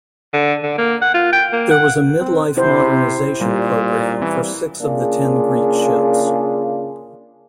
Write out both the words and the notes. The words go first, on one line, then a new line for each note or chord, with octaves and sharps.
There was a midlife modernization programme for six of the ten Greek ships.
D3
D3
A#3
F#5
F4
G5
A#3
F#5
C4
C3 E4 C5
A#2 G3
E3 C4
C#3 A#3 D4 F4 G#4